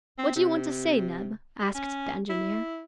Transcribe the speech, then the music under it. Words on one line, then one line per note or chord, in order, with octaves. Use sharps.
"What do you want to say, Neb?" asked the engineer.
C4
C3
G3
C#4
E4